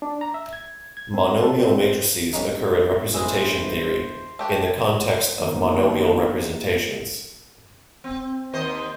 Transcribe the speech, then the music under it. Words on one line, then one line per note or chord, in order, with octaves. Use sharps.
Monomial matrices occur in representation theory in the context of monomial representations.
D4
A#5
E5
G#6
G#6
C4
A4
C4
G1 G3 C#4 D#4
E3 G#3 G#4 C5
A3 G4 B4
D3 D#3 A#3 B3
C4
D#2 C5 D#5